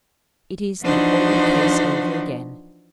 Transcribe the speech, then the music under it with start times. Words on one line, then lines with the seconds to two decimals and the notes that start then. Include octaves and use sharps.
It is the old case over again.
0.83 E3 F3 D4 D#4 F#4 C5